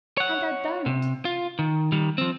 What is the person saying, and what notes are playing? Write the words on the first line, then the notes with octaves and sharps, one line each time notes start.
And I don't.
C#5 F#5
C3
F4
D#3
D#3 G3
F3 C4